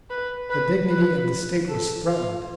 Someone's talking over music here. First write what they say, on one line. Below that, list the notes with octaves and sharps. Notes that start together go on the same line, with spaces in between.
The dignity of the State was threatened.
B4
B4
B4
A4
F4